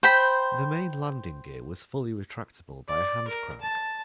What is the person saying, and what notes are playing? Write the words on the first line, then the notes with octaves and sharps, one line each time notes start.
The main landing gear was fully retractable by a hand crank.
C5 G5 B5
D5
A#4
A5